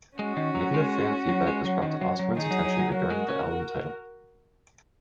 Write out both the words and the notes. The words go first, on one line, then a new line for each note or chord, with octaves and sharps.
Negative fan feedback was brought to Osbourne's attention regarding the album title.
G#3 C#4 F#4
D#3
F#3
G#3
F#3
G#3
F#3
D#3
F#3
F#3
D#3 D#4 G#4
F#3
F#3
F#3
F#3 F#4 A#4
G#3
C#4